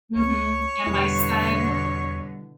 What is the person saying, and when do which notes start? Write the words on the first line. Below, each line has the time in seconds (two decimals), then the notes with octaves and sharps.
Mhm, and my son
0.15 C#2 C#5
0.86 E2 B2 D3 G3 E4